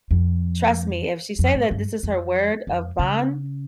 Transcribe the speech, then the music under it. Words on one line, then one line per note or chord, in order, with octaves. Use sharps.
trust me, if she say that this is her word of bond,
F2
F2
G#2
G2
F2
F2
C#3